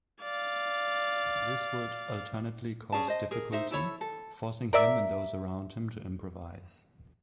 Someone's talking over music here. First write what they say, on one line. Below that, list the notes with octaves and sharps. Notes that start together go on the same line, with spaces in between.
This would alternately cause difficulty forcing him and those around him to improvise.
D5 F5
C#4 G#4 D5 A5
C5 D#5
G#4 A#4
D#4 C5 E5
E4 A4 C#5 B5
A4
A#4 D5 E5